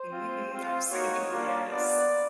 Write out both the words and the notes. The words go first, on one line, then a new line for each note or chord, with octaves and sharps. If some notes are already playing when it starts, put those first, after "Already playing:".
Mhm, I've seen them, yes.
Already playing: C5
C4 F4
C4 F4
A#3 D#4 F#4 C#5
G3 A#3 D4 F4
B3 D4 F4 D5